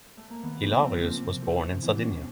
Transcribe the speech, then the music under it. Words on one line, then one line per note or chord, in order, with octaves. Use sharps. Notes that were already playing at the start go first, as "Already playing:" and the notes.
Hilarius was born in Sardinia.
A3
A#3
D#2 B3
D3 F3 A#3
C#2 C4
C#3 F3 A#3
C3
F3 A3
C3
E3 G3 B3
D4
B2 C#4